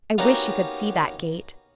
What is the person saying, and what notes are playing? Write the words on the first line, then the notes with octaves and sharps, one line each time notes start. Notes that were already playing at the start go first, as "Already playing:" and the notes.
I wish you could see that gate.
A#3 B3 C#4 D#4 F#4 G4